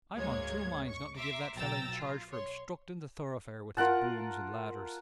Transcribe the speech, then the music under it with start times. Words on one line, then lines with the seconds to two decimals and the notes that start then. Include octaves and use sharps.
I'm on two minds not to give that fellow in charge for obstructing the thoroughfare with his brooms and ladders.
0.14 D2 G#2 G#3 A#3 C#5 G#6
0.88 C#6
1.16 E5 A#5 C6 D6
1.57 B1 G5 A#5 E6 A6
1.96 F4
2.32 C#5 C6
3.77 F4 A#4 F#5 A5